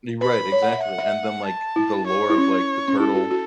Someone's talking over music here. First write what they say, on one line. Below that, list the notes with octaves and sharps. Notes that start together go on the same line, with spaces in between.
You're right, exactly, and then, like, the lore of like the Turtle
B4 B5
C#5
F#5
E5
F#5
E5
A5
E4
C#5
E4
C#4
C#4
E4 A4
F#4
F#4